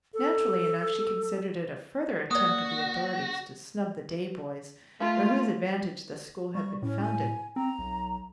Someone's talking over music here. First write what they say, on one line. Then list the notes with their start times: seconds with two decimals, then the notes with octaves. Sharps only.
Naturally enough, she considered it a further attempt of the authorities to snub the day-boys, for whose advantage the school had been founded.
0.14 A4
2.31 A#3 F#4 D5 D#6
4.99 A3 F4
6.55 G3 C#6
6.82 A2 C#4
7.01 G#5
7.56 C4 A#5
7.79 B1